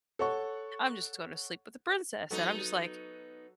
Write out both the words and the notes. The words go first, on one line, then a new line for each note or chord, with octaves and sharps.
"I'm just gonna sleep with the princess," and I'm just like,
A4 C#5 F#5 C#6
F#3 B3 D#4 F#4 A4